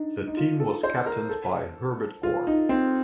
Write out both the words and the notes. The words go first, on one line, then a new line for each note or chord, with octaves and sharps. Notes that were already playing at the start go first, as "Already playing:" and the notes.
The team was captained by Herbert Orr.
Already playing: D4 D#4
D#4
F4
A4
C5
A#4
A4
F4
D#4
C4